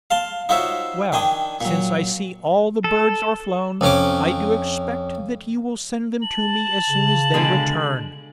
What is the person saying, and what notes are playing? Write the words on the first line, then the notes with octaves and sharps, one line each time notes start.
Well, since I see all the birds are flown, I do expect that you will send them to me as soon as they return.
F5 A5 C6
D#4 F4 F#4 C5 C#5 E5
D#3 D4 G5 G#5 D#6
A#2 F#3
A4
F2 C#4 D6
A5 F#7
C#3
B2 D3 G#3